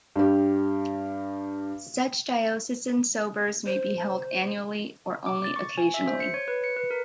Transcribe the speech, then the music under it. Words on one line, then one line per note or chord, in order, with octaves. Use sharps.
Such diocesan sobors may be held annually or only occasionally.
G2 G4
C5
D6
A6
C#6
G#5
E5
C5
C#7
C#5
B4
C#7
B4
A#4